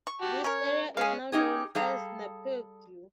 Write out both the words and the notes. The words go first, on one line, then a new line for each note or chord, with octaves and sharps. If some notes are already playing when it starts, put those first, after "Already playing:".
This area is now known as Napeague.
C#6
F#4 G4 A5
C#4 A#4 C#5
G#3 C#4 G#4 F5
C#4 D#4 G4 G#4
G3 G#4 A4 F5 A#5